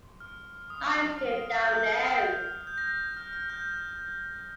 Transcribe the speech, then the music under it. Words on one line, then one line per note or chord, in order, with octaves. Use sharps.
I still don’t know.
F6
D#6
F6
G6
D#6
F6
G6
A#6
G6
F6
F6
G6